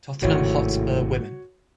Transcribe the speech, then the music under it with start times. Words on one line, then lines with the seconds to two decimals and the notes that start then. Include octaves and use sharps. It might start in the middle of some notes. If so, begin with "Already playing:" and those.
Tottenham Hotspur Women.
0.22 G#1 A2 C3 F#4 C#5